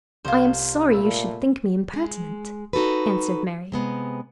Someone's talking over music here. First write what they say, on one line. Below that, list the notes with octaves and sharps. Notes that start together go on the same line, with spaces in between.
"I am sorry you should think me impertinent," answered Mary.
C2 F4 C5 G#6
A#2 A3 B5 E6
G#3
D#4 F#4 A4 B4
C3 G#3 B3